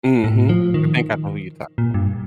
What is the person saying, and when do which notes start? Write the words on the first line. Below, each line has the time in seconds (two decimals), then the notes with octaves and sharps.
Mhm. I think I know who you're talking about.
0.24 A2
0.49 F3
0.74 D#3
1.78 A#2
1.94 G2